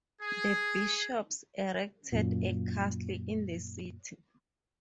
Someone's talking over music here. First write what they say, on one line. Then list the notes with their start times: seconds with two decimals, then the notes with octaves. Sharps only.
The bishops erected a castle in the city.
0.21 G#4
2.12 F#2 A#2